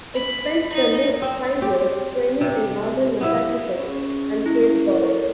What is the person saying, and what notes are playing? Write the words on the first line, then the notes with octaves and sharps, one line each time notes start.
It spent the next five years training in northern Massachusetts and Cape Cod.
B5
D#4
C4
G4
C3
B3 E4 E5
C#4 G#4
E4
A4 A#4 C#5